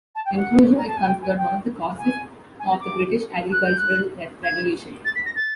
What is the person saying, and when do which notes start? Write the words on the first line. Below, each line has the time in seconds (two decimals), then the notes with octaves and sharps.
Enclosure is considered one of the causes of the British Agricultural Revolution.
0.15 A5
0.25 G5
0.36 F#5
0.78 A#5
0.88 A5
0.97 G#5
1.07 G5
1.22 G#5
1.37 G5
1.99 G#5
2.60 G#5
2.71 A#5
2.81 D6
3.52 F#6
3.65 G6
3.78 F#6
4.44 G#6
5.05 A6
5.15 B6
5.26 A#6
5.36 A6